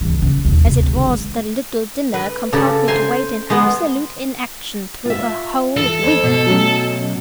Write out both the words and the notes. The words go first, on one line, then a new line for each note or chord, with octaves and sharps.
As it was, the "little dinner" compelled me to wait in absolute inaction through a whole week.
C#2 E3
C#3
E1 D#2
D2 C3
B2 D3
G#3
B4
C#3 A4 D5 A#5 B5
C5 G#5 A#5 C6
G#3 B3
F4 E5
E3 A4
F2
B2
F#3 A3 C#4